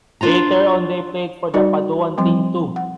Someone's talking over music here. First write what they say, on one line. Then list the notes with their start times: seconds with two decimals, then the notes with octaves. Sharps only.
Later on they played for the Paduan team too.
0.21 D4 F4 C5 A#5
1.54 G3 D#4 F#4 D5
2.18 F3 G3 C4
2.76 F#5